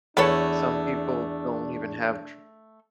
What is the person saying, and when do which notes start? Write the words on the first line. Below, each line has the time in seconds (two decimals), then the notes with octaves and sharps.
Some people don't even have dr
0.17 E2 A3 D4 A4 B4 C#5 A5